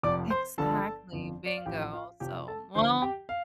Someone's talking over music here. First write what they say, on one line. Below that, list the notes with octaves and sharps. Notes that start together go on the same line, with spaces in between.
Exactly, bingo, so, well,
F1 F2 F3 D5 D6
C5 C6
G1 G2 D3 F3 A4 A5
G1 F2 F3
D5
F5
A1 A2 F3 G4 G5
F4 F5
F1 F2 C3 F3 G4 G5
A4 A5
D2 D3 F3 C5 C6
G4 G5
F5